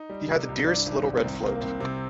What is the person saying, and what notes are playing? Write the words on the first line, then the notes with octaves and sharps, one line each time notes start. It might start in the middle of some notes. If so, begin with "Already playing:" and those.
He had the dearest little red float.
Already playing: D#4
G3
C3
C2
G2 D4
G#1
G#1
C2 C4
C2 A#3
A#3
C2 C4
C3 C4